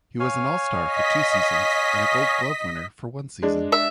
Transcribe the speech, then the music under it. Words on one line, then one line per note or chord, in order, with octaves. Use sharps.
He was an All-Star for two seasons and a Gold Glove winner one season.
C#5 F5 G#5
D#5 B6
G#3 D4
E5